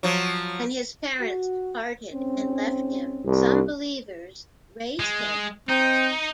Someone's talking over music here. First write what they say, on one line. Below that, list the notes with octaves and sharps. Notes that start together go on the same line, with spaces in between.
When his parents departed and left him, some believers raised him.
F3 F#3
F#4
G#2 C4 C#4
C2
G#3
C4 D#4 G6